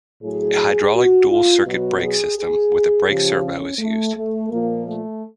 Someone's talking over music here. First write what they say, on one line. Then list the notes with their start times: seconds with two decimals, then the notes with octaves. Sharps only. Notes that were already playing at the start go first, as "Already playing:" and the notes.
A hydraulic dual circuit brake system with a brake servo is used.
0.23 A2 F#3 G#4
0.95 F#4
1.30 F4
1.65 B2 F#3 F#4
2.01 G#4
2.37 G#4
3.08 C#3 F3 G4
3.44 C#4
3.79 A3
4.14 A3
4.50 A#2 F3 A#3
4.85 A3